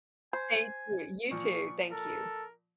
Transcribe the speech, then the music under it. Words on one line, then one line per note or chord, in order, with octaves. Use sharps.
Thank you. You too. Thank you.
C5 G#5
A#2 F3 C#6
A4 A#4